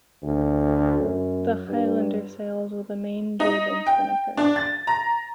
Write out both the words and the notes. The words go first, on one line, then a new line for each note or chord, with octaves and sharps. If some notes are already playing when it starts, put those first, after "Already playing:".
The "Highlander" sails with a main, jib and spinnaker.
D2
F#2
G2
D#4
G5
D4
A6
A#5